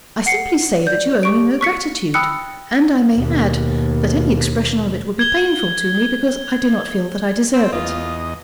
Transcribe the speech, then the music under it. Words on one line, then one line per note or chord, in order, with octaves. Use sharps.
'I simply say, that you owe me no gratitude; and I may add, that any expression of it will be painful to me, because I do not feel that I deserve it.
F#5 C7 C#7
D5 G6
G4 C#6 D7
C#6 B6 C#7
G5 B5 D#6 E6 F#6 C#7
D#2 B2
G#6 G7
C4 C5
E2 F4 D#5